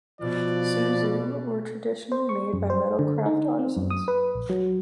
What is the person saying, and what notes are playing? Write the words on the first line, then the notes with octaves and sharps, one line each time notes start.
"Suzu" were traditionally made by metal craft artisans.
B2 F3 D5
C5
C#6
F#2
C5
D3
D#4
C4
F#2
D#6
B4
A#1
F#3